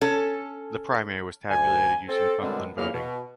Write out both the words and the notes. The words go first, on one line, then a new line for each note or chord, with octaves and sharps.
The primary was tabulated using Bucklin voting.
C#4 A4
D2 G#5
C4 A4
F#2 B2 D3 G3 G#3 C4
E2 G#2 C#3 A#3 E4 F6
B2